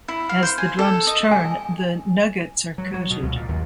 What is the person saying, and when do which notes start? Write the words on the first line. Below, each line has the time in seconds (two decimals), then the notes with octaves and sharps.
As the drums turn, the nuggets are coated.
0.08 E4
0.29 F5
0.43 C5
0.58 G#5
0.79 A4
1.07 D#5
1.31 G#5
2.78 F#3
2.94 F#3
3.10 B2
3.23 C#2
3.36 A#2
3.49 D#2